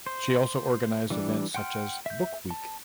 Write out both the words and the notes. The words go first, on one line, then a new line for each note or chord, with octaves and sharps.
She also organized events such as Book Week.
C5
E3 G3 D4
F#5 G5 C6 F6
E5 G6
A5